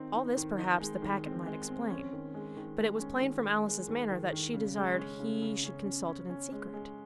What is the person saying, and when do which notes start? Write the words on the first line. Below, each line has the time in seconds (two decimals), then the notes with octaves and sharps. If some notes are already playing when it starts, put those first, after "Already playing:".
All this perhaps the packet might explain; but it was plain from Alice's manner that she desired he should consult it in secret.
Already playing: D#3 C4 D#4
0.14 D#4
0.37 D#3
0.58 D#4
0.80 G#3
1.02 D#3
1.24 C4
1.46 G#3
1.68 C4
1.90 C#4
2.13 D#3
2.34 G#3
2.57 D#3
2.78 G#3
3.00 C#4
3.22 D#3
3.44 G#3
3.66 G#3
3.88 D#3
4.10 D#3
4.32 D#3
4.54 C#3
4.76 G#3
4.97 C#4
5.20 C#3
5.42 C#3
5.64 C#4
5.86 C#4
6.08 C#4
6.30 C#4
6.52 G#3
6.74 G#3